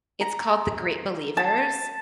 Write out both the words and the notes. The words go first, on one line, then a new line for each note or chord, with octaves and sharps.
it's called The Great Believers
A#5
A5